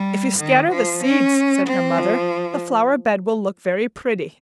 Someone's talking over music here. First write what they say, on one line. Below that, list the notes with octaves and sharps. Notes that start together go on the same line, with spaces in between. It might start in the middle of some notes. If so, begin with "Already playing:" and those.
"If you scatter the seeds," said her mother, "the flower-bed will look very pretty."
Already playing: G3
D#3
F3
C#4
C4
F3